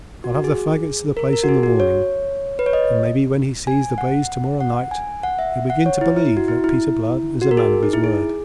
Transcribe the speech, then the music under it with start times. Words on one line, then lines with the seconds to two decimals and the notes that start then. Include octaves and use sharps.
I'll have the faggots to the place in the morning, and maybe when he sees the blaze to-morrow night he'll begin to believe that Peter Blood is a man of his word.
0.24 F#4
0.34 F#4
0.44 G#4
1.17 A#4
1.33 A#4
1.44 F#4
1.49 G#4
1.63 F#4
1.80 C#5
2.59 B4
2.66 C#5
2.73 D#5
3.67 G#5
3.98 F#5
4.61 F#5
4.91 G#5
5.23 F#5
5.39 E5
5.70 F#5
5.86 C#5
6.01 E4
6.16 E4
6.37 F#4
6.48 E4
6.64 E4
7.42 F#4
7.51 A#4
7.57 G#4
7.83 D#4
7.93 E4
8.04 G#4